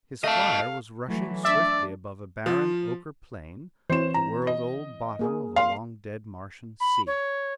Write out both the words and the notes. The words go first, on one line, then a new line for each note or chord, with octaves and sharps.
His flier was rushing swiftly above a barren, ochre plain--the world-old bottom of a long-dead Martian sea.
A3 D#5 F5 A5
E3 F#3 A3
D4 D5 E5
F3
E3 C4 C5 C#5 E7
A#5
D#5
A#3 G#4 A#4
F5 C6
B5
C#5